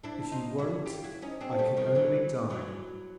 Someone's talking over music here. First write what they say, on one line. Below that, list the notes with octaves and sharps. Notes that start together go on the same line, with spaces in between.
If you won't,--I can only die.
D4 E4
D#4 F4
E4 F#4
F4 G4
E4 F#4
C#4 D#4
C4 D4
G3 A3
D#3 F3
E3 F#3
E3 F#3